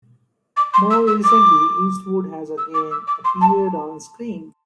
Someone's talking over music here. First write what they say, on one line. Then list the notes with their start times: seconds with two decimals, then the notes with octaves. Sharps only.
More recently, Eastwood has again appeared onscreen.
0.56 D6
0.73 C6
0.90 E6
1.07 E6
1.24 D6
2.57 E6
2.74 D6
2.90 E6
3.07 D6
3.24 C6
3.41 A5